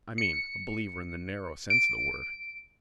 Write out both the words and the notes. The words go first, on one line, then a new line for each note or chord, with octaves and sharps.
I mean, a believer in the narrow sense of the word.
C#7
D7